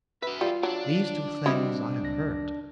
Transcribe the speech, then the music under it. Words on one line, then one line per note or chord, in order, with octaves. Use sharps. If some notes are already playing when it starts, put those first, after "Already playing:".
These two things I have heard.
F#4 B4 E5
G3 F4
F#3 D4
G3 C4 E4 F#4 D#5
C#2 A#6